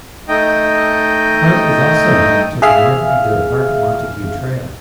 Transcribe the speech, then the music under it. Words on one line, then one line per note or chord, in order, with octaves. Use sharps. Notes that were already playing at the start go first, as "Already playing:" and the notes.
Hart is also home to the north end of the Hart-Montague Trail.
A3 D#4 D#5 G5
G#4 E5 F5 F6